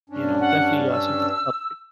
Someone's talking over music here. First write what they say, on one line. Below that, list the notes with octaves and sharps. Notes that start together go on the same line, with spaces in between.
you know, definitely uh something to celebrate.
G2 C#4 D4
F#5
E6